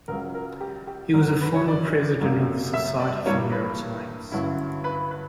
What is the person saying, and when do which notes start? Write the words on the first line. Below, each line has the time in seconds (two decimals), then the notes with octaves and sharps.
He was a former president of the Society for Neuroscience.
0.08 C#2 C#3 F#3 A#4
0.35 A#4
0.61 G4
0.87 G4
1.13 F#2 D3 F#3 A#4
1.28 A#4
1.41 B4
1.54 C#5
1.68 D5
2.20 F#2 C#3 F#3 A#3
2.74 E5
3.00 D5
3.26 G2 E3 G3 A#3 C#5
3.52 B4
4.32 G2 D3 F#3 C#4 E4
4.84 B4
5.11 B4